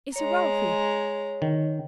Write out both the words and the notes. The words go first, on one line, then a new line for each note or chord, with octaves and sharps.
Is he wealthy?'
G#3 C#5 A#5
D#3